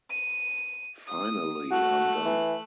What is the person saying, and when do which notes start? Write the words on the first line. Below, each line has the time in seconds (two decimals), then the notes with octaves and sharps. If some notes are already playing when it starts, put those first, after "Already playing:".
Finally, I'm done!
0.11 D#7
1.08 D#6
1.71 A3 F#4 F#6
2.25 E3